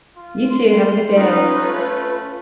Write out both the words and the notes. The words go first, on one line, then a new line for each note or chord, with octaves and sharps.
You too, have a good day.
F4
C6
C#4 D#4 F4 B4
A3